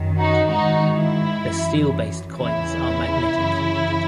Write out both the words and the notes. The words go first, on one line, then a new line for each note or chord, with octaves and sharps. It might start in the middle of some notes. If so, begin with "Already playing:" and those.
The steel-based coins are magnetic.
Already playing: F#2 D#3
D#4 F#4
G#2 D#3 D#4 F#4
E4
F#2 E3
E2 C#3 E3 E4
F#2 C#3 E3